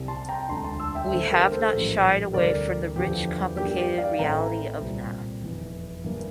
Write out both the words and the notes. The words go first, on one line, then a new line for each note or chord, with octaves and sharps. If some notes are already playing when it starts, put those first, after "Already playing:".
We have not shied away from the rich complicated reality of Now.
Already playing: C2 C3 G3
A5 C6
G5 A#5
E1 D2 D3 A3 A5 C6
A5 C6
C6 E6
E5 G5
E2 D3 A3 A4 C5
G4 A#4
A4 C5
A#1 A2 G3 A#3
D2 C3 G3 A#4 D5
E2 D3 F3 G4
G2 E3 A#3 D4 G4
G4
D5 F5
A1 A2 E3 A3 C4 G5 A#5
C2 A#2 G3 C4
F1 E2 E3
G2 E3 A#3